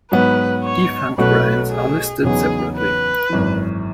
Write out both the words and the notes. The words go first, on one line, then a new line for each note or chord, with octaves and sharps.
Defunct brands are listed separately.
G#2 F#3 B3 B4
C#5
B1 B2 A3 C#4 F#4 B4
G#4
E2 C#3 F#3 B3 D#4 G#4
B4
G#1 F#2 E3